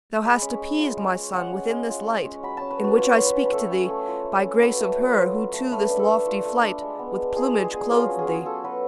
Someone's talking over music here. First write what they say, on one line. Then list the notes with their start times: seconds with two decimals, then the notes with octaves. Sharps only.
Thou hast appeased, my son, within this light In which I speak to thee, by grace of her Who to this lofty flight with plumage clothed thee.
0.25 G#3 B5
0.42 C#4
0.61 G#3
0.79 F4
0.98 G#3
1.15 C#4
1.34 G#3 F#5
1.52 C#4
1.70 G#3
1.89 F4
2.07 G#3
2.25 C#4
2.43 F#3 B5
2.57 C#4 A5
2.71 B4
2.80 F#3 F#4
2.98 F4 C#5
3.16 F#3
3.25 B4
3.35 C#4
3.46 B4
3.53 A3 A4
3.71 C#4
3.90 A3
4.08 F4
4.25 A3
4.44 C#4
4.62 F#3 B4
4.80 A3
5.00 F#3
5.17 F4
5.36 F#3
5.54 A3
5.72 A3 B4
5.90 D4
5.99 A4
6.08 A3
6.27 F4
6.45 A3
6.63 D4
6.82 G#3
6.99 B3
7.17 G#3
7.36 F4 G#4
7.54 G#3
7.64 G#4
7.73 B3
7.91 F#3 F4
8.10 C#4
8.19 G#4
8.27 F#3
8.45 F4 A4
8.64 F#3 B4